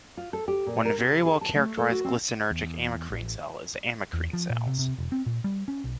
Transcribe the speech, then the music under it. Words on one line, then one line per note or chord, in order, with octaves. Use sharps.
One very well characterized glycinergic amacrine cell is the Amacrine cells.
F4
A4
G4
A#2
A#4
C3
G#4
A5
A3
A4
F#4
C4
E2
A1
E2
F3
A#2
C3
C3
E1
C4
A#2
G3
C#4
B1